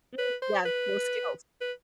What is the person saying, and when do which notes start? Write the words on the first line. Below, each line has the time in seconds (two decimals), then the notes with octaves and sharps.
Mm, yeah, no skills.
0.18 B4
0.42 C5
0.66 B4
1.61 B4